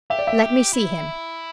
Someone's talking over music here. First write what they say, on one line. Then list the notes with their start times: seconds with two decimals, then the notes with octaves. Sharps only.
"Let me see him."
0.10 G4 E5
0.19 D5
0.27 E5
0.73 E4